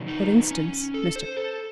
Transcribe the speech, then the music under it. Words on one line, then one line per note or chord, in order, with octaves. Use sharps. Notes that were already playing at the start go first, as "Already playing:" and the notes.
For instance--Mr.
Already playing: C3 D#3 F#3
D#4
C#4
A4
C5
A4